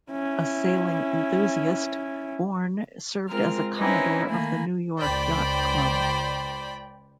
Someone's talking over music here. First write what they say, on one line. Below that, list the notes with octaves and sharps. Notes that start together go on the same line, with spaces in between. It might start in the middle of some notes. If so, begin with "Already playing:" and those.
A sailing enthusiast, Bourne served as a Commodore of the New York Yacht Club.
C#4 E4
G#3 C4 F4 A#4 F6
C4 C#4 D#4 E4 B4 G#5
D#3 A3 A#3 G#5 B5
C#2 C5 D5 G5 B5